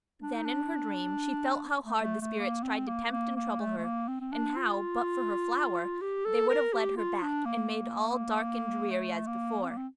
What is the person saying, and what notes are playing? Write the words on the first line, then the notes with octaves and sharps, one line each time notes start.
Then in her dream she felt how hard the spirits tried to tempt and trouble her, and how, but for her flower, they would have led her back, and made all dark and dreary as before.
D4
D#4
D4
A3
A3
A3
A#3
C4
A#3
A#3
A#3
A3
A3
A#3
C4
C4
D4
F4
G4
A4
A#4
G4
F4
D4
A#3
A3
A#3
C4
A#3
C4